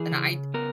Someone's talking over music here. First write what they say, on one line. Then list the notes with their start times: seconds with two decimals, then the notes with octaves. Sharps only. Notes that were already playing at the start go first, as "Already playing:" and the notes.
and I'd
Already playing: E3 G#4
0.12 C#3
0.54 B3 A#4